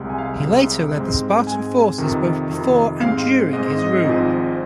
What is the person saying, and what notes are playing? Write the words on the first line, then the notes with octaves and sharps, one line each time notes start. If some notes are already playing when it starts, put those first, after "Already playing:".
He later led the Spartan forces both before and during his rule.
Already playing: C2 C3 G#3
G#5
F5
C2 C3 G#3
G#2 G#3 C4
G#2 G#3 C4 G#5
F2 C3 D#3
F2 C3 D#3
G#2 G#3 C4 F5
G#2 G#3 C4 D#5
D#5
G#1 G#2 F3 C4